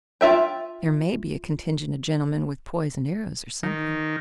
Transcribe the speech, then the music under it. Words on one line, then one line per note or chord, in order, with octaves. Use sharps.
"There may be a contingent of gentlemen with poisoned arrows or something."
F4 E5 G5
D#3